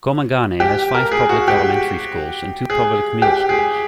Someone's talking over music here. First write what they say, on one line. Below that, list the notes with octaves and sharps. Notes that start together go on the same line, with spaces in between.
Komagane has five public elementary schools and two public middle schools.
G4
A#4
G#4
F#4
G4
G#4
G4
G#4